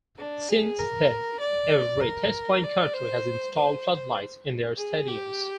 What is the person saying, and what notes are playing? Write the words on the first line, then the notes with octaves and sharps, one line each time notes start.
Since then every test playing country has installed floodlights in their stadiums.
D4
G#4
A#4
D5
A#4
D5
C5
C5
G#4
G4